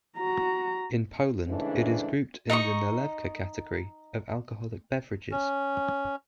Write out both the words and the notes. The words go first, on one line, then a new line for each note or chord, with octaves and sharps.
In Poland it is grouped in the nalewka category of alcoholic beverages.
F#4 A#5
G#2 C#3 E3 A3 D4
D#4 D#5 F#5 C#6
C#4